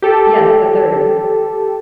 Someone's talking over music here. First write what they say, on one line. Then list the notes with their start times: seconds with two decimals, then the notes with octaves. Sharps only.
"Yes, the third."
0.02 G4 A4